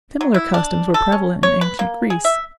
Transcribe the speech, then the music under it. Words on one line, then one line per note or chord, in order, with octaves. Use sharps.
Similar customs were prevalent in Ancient Greece.
F#3
E4
D4
A4
C#4
C#5
B4
A#3
G#4
E5